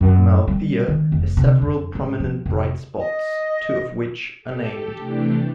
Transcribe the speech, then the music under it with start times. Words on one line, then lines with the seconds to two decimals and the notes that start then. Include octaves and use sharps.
Amalthea has several prominent bright spots, two of which are named.
0.01 F#2
0.47 G3
0.88 D#3
1.12 F1
1.37 C3
1.62 F2
1.95 G#2
2.20 F3
2.46 F1
2.99 D#5
4.41 G4 A4
4.97 C3 E3 A3 D4 G4